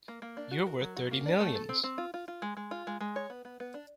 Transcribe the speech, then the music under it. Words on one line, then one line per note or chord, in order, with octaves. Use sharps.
You're worth thirty millions!
A#3
A#3
D4
F#4
A#4
F#3
F#4
A#3
D4
A3
A4
C4
C4
F4
F4
F4
G#3
G#3
F4
G#3
G#3
C#5
B3
B3
B3
D4